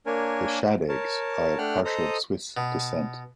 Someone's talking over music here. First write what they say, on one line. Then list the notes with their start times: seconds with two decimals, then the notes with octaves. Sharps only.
The Shadeggs are of partial Swiss descent.
0.06 A#3 D4 A#4 C#5 G#5
0.89 A#4 C#5 A5
1.58 A3 D4 F#5 G5 F6 F#6
1.85 A4 C5 D#5 A#5 D#6
2.57 B2